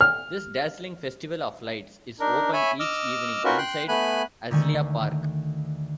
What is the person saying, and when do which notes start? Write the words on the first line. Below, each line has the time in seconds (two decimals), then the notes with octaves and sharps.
This dazzling festival of lights is open each evening inside Azalea Park.
0.01 F6
2.20 D4 D#4 A#4
2.53 C#5 E5 G#5 B5
2.80 D#5 D6 E6 F6
3.44 C#4 D#4 F4 F#4 A#4 B4
3.58 G5 C6 F#6
3.88 A3 B3 G#5 B5 F#6
4.50 D2 D3 D#3 A3 G#5